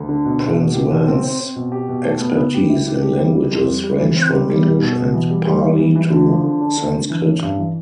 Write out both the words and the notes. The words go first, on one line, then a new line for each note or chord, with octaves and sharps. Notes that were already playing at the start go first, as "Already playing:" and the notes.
Prince Wan's expertise in languages ranged from English and Pali to Sanskrit.
Already playing: D2
D3
B2
B2
B2
G4
B2
C4
C4
C4
B2
G4
B2
A3
B3
B3
G4
E4
G4
G4
G3
G3
F2
G3
G3
E3
C4
G3
G3
B2
B2
B2
E3
G3
G3
G3
E3
E3
D3
F3
D3
D4
D3
D3
E3
A1
G2
E3